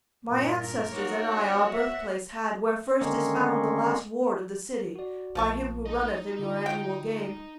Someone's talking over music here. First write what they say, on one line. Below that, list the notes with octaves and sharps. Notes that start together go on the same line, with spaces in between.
My ancestors and I our birthplace had Where first is found the last ward of the city By him who runneth in your annual game.
G2 A#2
A#4
A#3 D#4 F#4 C#5
B3 D4
E5 F#5
D3 D#3 G#3 A#3 C4 C#4
F#4 D5
A#1 F3 A5 C#6
D#4 D#5
D3 F4
G4 G5